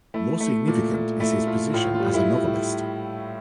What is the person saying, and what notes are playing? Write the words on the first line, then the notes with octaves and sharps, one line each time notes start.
More significant is his position as a novelist.
A3 E4
A3
A#2
A#2
A3 E4
A3 F4
A2 F4
F4
G3
E4